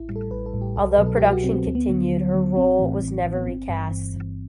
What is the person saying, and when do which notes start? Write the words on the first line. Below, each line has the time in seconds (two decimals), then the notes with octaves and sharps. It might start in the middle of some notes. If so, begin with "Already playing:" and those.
Although production continued, her role was never recast.
Already playing: A1 E4
0.09 A2 G3
0.16 A4
0.31 A1 B4
0.46 A4
0.54 A2 G3
0.61 G4
0.76 C2 A4
0.91 B4
0.98 B2 F#3
1.06 A4
1.16 G4
1.21 C2 F#4
1.32 F#4
1.44 B2 F#3 C4
1.55 C4
1.66 D2 C4
1.75 B3
1.89 D3 F#3 B3
2.11 D2
2.34 D3 F#3
2.57 A1 C4
2.79 A2 E3
3.01 A1
3.24 A2 E3
3.34 B3
3.46 G1 C4
3.69 G2 E3
3.91 G1 C4
4.14 G2 E3